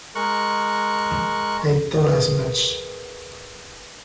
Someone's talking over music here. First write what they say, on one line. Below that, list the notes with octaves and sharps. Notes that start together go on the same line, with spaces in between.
I thought as much.
G#3 A#4 C#6 F#6
G#4 A#4 B4 D#6